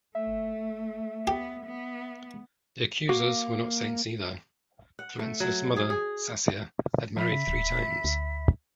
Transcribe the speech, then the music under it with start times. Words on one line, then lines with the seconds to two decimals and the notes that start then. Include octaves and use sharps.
The accusers were not saints either: Cluentius' mother, Sassia, had married three times.
0.15 A3 E5
1.27 B3 G4
1.66 B3
3.09 A#3 F#4 F5 D6
4.99 F#5
5.19 A3
5.40 F#3
5.76 G#4
5.90 G#4
7.16 F3 E5 B5
7.32 C#3
7.47 D1
8.04 D2